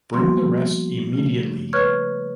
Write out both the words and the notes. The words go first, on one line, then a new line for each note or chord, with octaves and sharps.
Bring the rest immediately.
F3 G3 A#3 B3 F#4 C6
C#3 A3
B4 C#5 C#6 F6 F#6 G#6